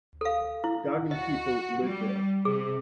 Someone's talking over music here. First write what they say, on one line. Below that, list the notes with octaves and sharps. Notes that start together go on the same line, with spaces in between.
Dargin people live there.
A4 F5
E4
F#4 D#5
G3
C3 G#4